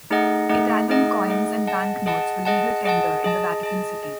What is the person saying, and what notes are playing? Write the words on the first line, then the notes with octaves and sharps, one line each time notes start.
Italian coins and banknotes were legal tender in the Vatican City.
A3 D#4 G#4 D#5 F#5
A3 D#4 G#4 D#5 F#5
A3 D#4 G#4 D#5 F#5
A3 D#4 G#4 D#5 F#5
G#4 D#5 F#5 A5
G#4 D#5 F#5 A5
G#4 D#5 F#5 A5
G#4 D#5 F#5 A5
G#4 D#5 A5
G#4 D#5 A5
G#4 D#5